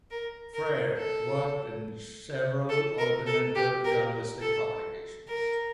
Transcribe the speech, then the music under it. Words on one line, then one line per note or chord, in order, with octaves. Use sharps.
Freire worked in several alternative journalistic publications.
A#4
A#4
A4
A4
A#4
A4
G4
A#4
A4
A#4